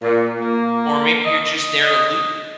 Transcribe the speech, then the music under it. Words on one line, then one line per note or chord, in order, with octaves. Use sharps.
or maybe you're just there to loot,
A#2
A#3
D#5